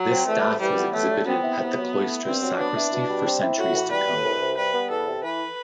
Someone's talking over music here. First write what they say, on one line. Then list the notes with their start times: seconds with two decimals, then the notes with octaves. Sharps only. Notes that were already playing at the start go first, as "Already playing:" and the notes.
This staff was exhibited at the cloister's sacristy for centuries to come.
Already playing: F#3
0.10 C4
0.27 E2 A3
0.43 C3
0.60 E3 G3
0.76 B3
0.93 A2 A3
1.10 G3
1.26 B3 C4
1.43 E4
1.59 C3
1.76 F#3
1.93 A3
2.09 E4
2.25 G2 C4
2.41 F#3
2.58 B3 D4
2.75 E4
2.92 B2
3.08 G3
3.25 C4
3.41 E4
3.58 A2 F#4
3.75 E3
3.90 G3 B4
4.07 A2
4.23 C2
4.41 C3
4.57 G3 B4
4.73 B3
4.90 E2 A4
5.06 C3
5.23 E3 B4